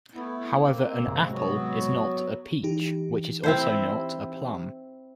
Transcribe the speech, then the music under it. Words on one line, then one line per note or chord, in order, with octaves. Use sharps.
However, an "apple" is not a "peach", which is also not a "plum".
A3 B3 E4
A#3 C4
G#2 C3 G#3
F#3 B3 F#4
E3 D#4 G4
C4 E4 C5